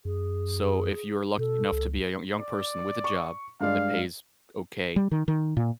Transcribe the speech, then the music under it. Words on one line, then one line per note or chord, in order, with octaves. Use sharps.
So, if you're lucky enough to be a yo young person with a job that pays okay,
F#2 G#4
B2 A4
C#2
D5
C#6
G2 G#3 D5 F5
G3
D#3
D#3
A#2